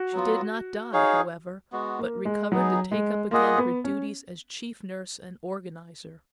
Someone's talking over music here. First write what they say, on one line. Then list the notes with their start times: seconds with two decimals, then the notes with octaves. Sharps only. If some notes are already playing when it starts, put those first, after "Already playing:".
She did not die, however, but recovered to take up again her duties as chief nurse and organizer.
Already playing: F#4
0.13 F#3 B3 F4
0.93 D#4 G#4 C#5 F5
1.72 G#3 B3 F#4
1.99 A#3
2.25 G#3
2.52 F#3 B3 D#4 G#4
2.92 G#3
3.31 A#3 F4 G#4 D#5 F#5
3.58 B3
3.84 C#4